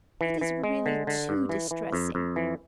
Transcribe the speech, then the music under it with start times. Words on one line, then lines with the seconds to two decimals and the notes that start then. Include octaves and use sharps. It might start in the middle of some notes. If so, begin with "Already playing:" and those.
It is really too distressing.
0.21 E3
0.41 E3
0.64 G#3
0.86 D3
1.07 D3
1.29 G2
1.49 E3
1.71 E3
1.92 F2
2.15 F2
2.36 E3